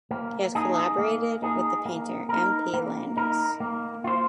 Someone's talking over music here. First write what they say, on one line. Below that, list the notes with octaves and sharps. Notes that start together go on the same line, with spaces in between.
He has collaborated with the painter M. P. Landis.
A#3
D#4 G#4
A#3
D#4 G#4
A#3
D#4 A#4
A#3
D#4 A#4
A#3
F4 C5